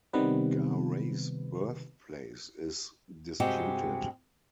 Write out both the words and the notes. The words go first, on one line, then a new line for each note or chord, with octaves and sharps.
Garay's birthplace is disputed.
C3 D#3 G3 B3 C4 B4
G2 C3 G#3 F#4 G4 G5